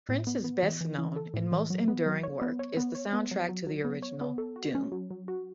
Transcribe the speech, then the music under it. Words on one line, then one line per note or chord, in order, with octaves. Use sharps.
Prince's best-known and most enduring work is the soundtrack to the original "Doom".
A2
B3
B3
E3
E3
E3
A4
A2
E3
F#3
B3
F#3
C#5
B3
C#5
B3
C#5
B3
F#3
F#3
F#3
B3
C#5
B3
A4
F#4
C#4
F#3
F#3
F#4